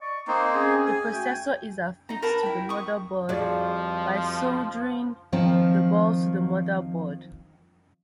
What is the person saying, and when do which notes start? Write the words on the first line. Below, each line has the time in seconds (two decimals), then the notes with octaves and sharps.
The processor is affixed to the motherboard by soldering the balls to the motherboard.
0.01 D5 D#5 C#6
0.28 A#3 C4 D#4 C6
0.53 C#4 G#4
0.86 G#5
1.11 A3 F#4 G5
2.09 D#4 A#5
2.22 A#4 B4 A5 A#5
2.43 E4 G5
2.69 C#6 D#6
3.29 F2 F3 G3 F4 F#4 G#4 D5
5.32 D#3 F3 C4